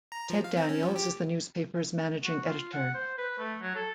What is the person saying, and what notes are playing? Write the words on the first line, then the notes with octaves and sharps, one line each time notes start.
Ted Daniels is the newspaper's managing editor.
A#5
F3
F5
C4
C#4
F3
G4
F#4
F4
F#5
C5
B4
A3
F#3
A4